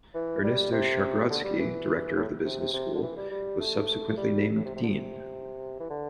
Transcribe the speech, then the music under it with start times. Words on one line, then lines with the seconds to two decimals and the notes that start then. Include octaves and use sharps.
Ernesto Schargrodsky, director of the business school, was subsequently named dean.
0.14 E3
0.44 G3
0.72 C3
1.30 D3
1.44 G3
1.59 E3
2.16 A2
2.45 C3
2.60 C3
2.73 C3
2.94 D3
3.02 E3
3.17 G3
3.31 G3
3.60 A3
4.17 G3
4.56 A2
4.65 C3
4.76 C3
4.83 D3
4.89 C3
5.80 E3
5.90 D3